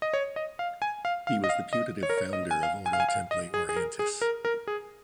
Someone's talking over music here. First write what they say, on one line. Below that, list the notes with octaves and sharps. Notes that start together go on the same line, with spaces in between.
He was the putative founder of Ordo Templi Orientis.
D#5
C#5
D#5
F5
G#5
F5
F5
D#5
F5
D#5
C#5
A#4
C#5
D#5
G#5
F5
G#5
F5
G#5
F5
D#5
G#4
G#4
A#4
G#4
A#4
A#4
G#4